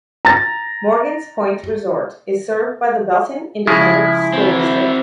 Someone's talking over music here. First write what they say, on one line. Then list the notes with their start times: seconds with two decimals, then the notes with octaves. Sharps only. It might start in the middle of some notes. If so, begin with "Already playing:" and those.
Morgan's Point Resort is served by the Belton Independent School District.
0.25 A#5 A6
3.67 C#3 F3 G#3 E4
4.33 C4 F#4